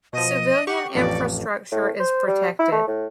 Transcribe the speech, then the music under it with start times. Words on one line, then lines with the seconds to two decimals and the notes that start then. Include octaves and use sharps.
Civilian infrastructure is protected.
0.13 B2 F3 D#5
0.67 G4 F#5 C#6
0.95 A1 F2 D5
1.72 A2
2.00 C5
2.27 G3
2.59 E4
2.72 A3
2.87 A2